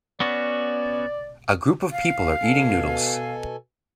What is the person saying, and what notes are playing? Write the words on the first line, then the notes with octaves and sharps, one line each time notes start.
A group of people are eating noddles.
B3 C#4 F#4 D5
F5
B2 A4 G#5